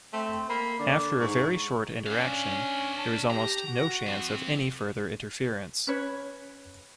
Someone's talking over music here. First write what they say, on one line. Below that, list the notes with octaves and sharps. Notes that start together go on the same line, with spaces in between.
After a very short interaction, there is almost no chance of any further interference.
A3 C4
A#3 B5
D3 D5
G#2 C#6
C#4 D4 F5
A5
G4 A#5
F#4
F3 C4
C#4 B4 C#5